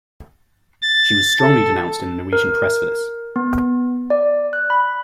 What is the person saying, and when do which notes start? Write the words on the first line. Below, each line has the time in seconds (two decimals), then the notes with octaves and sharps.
She was strongly denounced in the Norwegian press for this.
0.82 A6
1.41 A4
2.33 A#4
3.36 B3
4.10 D5
4.53 F#6
4.70 B5